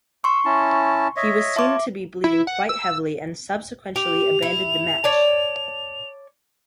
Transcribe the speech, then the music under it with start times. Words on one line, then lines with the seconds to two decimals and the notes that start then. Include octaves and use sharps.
He was seen to be bleeding quite heavily and subsequently abandoned the match.
0.24 C6 C#6 E6
0.45 C#4 E4 A5
1.16 C#5 D#5 E5
1.56 F4 C#5 E5 A5 D6
2.24 E4
2.47 F#5
2.69 E6
3.96 G4 F7
4.42 E4
5.04 C#5 D5 A5